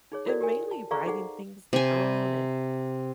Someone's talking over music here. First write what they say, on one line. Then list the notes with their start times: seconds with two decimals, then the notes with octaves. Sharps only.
and mainly writing things down, and
0.12 D#4 G#4 C#5
0.26 E4 F#4 A4 A#4 C5 D5
0.41 G4 A#4 G#5
0.71 A5
0.91 G#4 A4 D5 F5 A#5 C#6
1.06 D#4 G#4 A4 C5 F#5
1.73 C3 G#5